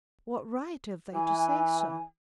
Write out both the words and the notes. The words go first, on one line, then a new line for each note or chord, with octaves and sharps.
What right have they to say so?
E3 G#5